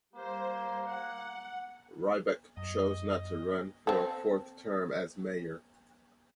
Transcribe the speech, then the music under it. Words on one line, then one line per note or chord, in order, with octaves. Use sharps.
Rybak chose not to run for a fourth term as mayor.
G3 A#3 C5
F#5
F#2 D#5
C4 A4